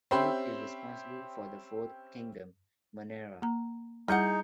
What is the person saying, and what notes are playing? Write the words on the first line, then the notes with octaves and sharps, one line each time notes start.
He is responsible for the fourth kingdom, Monera.
C4 C#4 G4 E5 B5 C6
A#3 A#5
G3 D#4 E4 G#4 D#5 F#5 G6 C#7